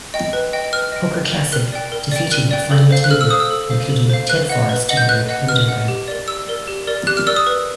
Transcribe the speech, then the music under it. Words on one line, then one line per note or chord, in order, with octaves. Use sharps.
Poker Classic, defeating a final table including Ted Forrest and Erick Lindgren.
D#5 G5
B4
D#5 G5
B4 F6
D#5 G5
A#4
D5 G5
A#4 F#6
D5 G5
A#4
D5 G5
A#4 F#6
D5 G5
A4
C5 F5
F#6
A4 F6
E6
C5 F5 D#6
E6
A4
C5 F5
A4
C5 F5
B4 F#6
D#5 F#5
B4
D#5 F#5
G6
B4 F#6
D#5 F#5
B4 F6
D#5 F#5
G4
A#4 D5
G4 E6
A#4 D5
G4
A#4 D5
G4 F#6
F6
A#4 D5 E6
D#6
B4